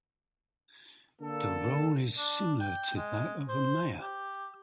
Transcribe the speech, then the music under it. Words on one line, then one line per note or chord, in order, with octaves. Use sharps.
The role is similar to that of a mayor.
D3 A#3 A4
D4
G5
G#3
C5
G4